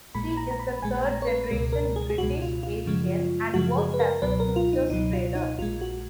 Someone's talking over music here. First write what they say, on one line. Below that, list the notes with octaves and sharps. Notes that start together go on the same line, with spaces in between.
She is a third-generation British-Asian and worked as a futures trader.
A#1 A#2 G#3 B5
A#5
A#5
B5
A#1 A#2 G#3 G#5
A#5
C#5
B4
C#2 B2 G#3 A#4
A#4
G#4
G#4
C#2 B2 G#3 F#4
F4
F4
F#2 C#3 F3 G#3
F#2 C#3 F3 G#3 F#4
G#4
B4
A#4
C#2 B2 F#3 B4
A#4
F4
D#4
C#2 B2 F#3 D#4
F4
D#4
A#1 A#2 G#3 F4
F#4